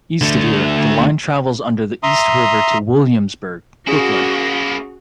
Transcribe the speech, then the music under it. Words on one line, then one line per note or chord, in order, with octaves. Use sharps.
East of here, the line travels under the East River to Williamsburg, Brooklyn.
D3 A3
E5 A#5 C6 D#6
A#3 C#4 E4 F#4 G#4